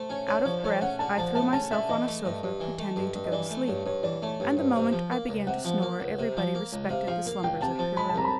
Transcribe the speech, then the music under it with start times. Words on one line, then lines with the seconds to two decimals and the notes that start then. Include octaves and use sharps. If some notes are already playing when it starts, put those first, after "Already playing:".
Out of breath, I threw myself on a sofa, pretending to go to sleep, and the moment I began to snore everybody respected the slumbers of Pierrot.
Already playing: A3 C5
0.10 C#4 C#5
0.28 D3 C#5
0.45 F3 C#5
0.64 A3 C#5
0.81 C#4 F#5
0.99 D3 A5
1.18 F3 A5
1.35 A3 A5
1.53 C#4 A5
1.71 D3 E5
1.89 E3 D#5
2.08 A3
2.25 G2
2.43 G2
2.60 E3
2.79 A3
2.96 G2
3.15 G2
3.25 D#5
3.32 E3 D5
3.51 A3
3.67 G2 C#5
3.86 G2 C#5
4.03 E3 D5
4.22 A3 C#5
4.40 G2 C#5
4.57 G2 C5
4.75 C3 C5
4.93 F3
5.11 A#3
5.29 C#2
5.47 C3 F#5
5.65 F3
5.82 A#3
6.00 C#2
6.19 C3
6.37 F3
6.55 A#3
6.73 C#2
6.89 C3 F5
7.07 F3 F5
7.26 A#3
7.43 C#2 G5
7.61 C3 A5
7.79 F3
7.97 G#3 B5
8.10 A5
8.15 C2 A#5
8.25 B5